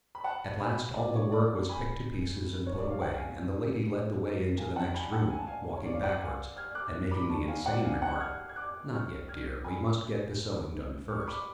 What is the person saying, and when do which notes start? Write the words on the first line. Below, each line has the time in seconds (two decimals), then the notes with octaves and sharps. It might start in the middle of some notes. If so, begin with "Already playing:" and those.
At last all the work was picked to pieces and put away, and the lady led the way into the next room, walking backwards, and making the insane remark "Not yet, dear: we must get the sewing done first."
0.15 B5
0.24 F#5 A5
0.60 G#5 B5
0.96 D5
1.15 C#5
1.32 D5
1.69 G#5 B5
2.67 C#5
2.78 D5
2.90 F5
3.01 F#5
3.14 F5 G#5
4.58 F5 G#5
4.76 F#5 A5
4.94 G#5 B5
5.12 F#5 A5
5.30 G#5
5.39 A5
5.47 F5 G#5
5.76 C#5
5.86 D5
5.93 F5
6.03 D5 F#5
6.20 F5 G#5
6.57 F6 G#6
6.75 D6 F#6
7.11 B5 D6
7.29 A5 C#6
7.48 F5 G#5
7.66 D5 F#5
7.84 F5 G#5
8.02 F#5 A5
8.16 F#6
8.20 F6 G#6
8.49 G#6
8.56 D6 F#6
8.92 C#6 F6
9.28 F6 G#6
9.64 G#5 B5
11.10 C#6 F6
11.21 C#6
11.27 B5 D6